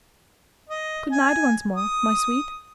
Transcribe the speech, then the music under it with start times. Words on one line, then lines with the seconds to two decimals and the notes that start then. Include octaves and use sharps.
Good-night once more, my sweet.'
0.69 D#5
1.12 G#5
1.76 D#6